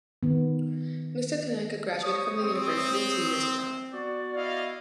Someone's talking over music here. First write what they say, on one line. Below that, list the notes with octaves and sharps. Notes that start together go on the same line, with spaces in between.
Mr. Tanaka graduated from the university two years ago.
D#3 B3
C5 C#5 D#6
C4
B3 F#4 D5
E4 D#5 F5